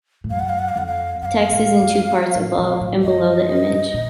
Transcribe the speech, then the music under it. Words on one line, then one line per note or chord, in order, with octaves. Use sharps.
The text is in two parts, above and below the image.
A2
F#2 F5
F#5
F5
F#5
F5
F2 F#5
F5
F#2 F5 F#5
A2
F#2
A2
A#2
A2
F#2 D#5
A#2